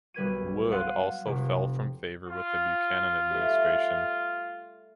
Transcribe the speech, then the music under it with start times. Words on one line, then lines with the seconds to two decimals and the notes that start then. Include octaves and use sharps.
Wood also fell from favor with the Buchanan administration.
0.14 B1 G3 B4 G#6 D#7
0.72 F5 F#5 C6 F#6 A6 D#7
1.26 F1 C3 G4
2.27 F4
3.31 G3 A3